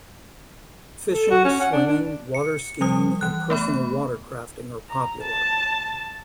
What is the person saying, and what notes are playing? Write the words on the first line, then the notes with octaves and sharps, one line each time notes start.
Fishing, swimming, water skiing, and personal watercrafting are popular.
A4
F#4
C#4
F#5
D4
D4
C#7
F3 G3 D#6
E3 F#6
A3 B3 B5
A#5
A5